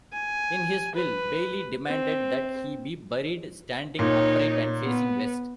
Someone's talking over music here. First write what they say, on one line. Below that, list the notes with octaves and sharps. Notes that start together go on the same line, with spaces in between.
In his will, Bailey demanded that he be buried standing upright and facing west.
G#5
B4
C4
A#2 D#4 C#5
B3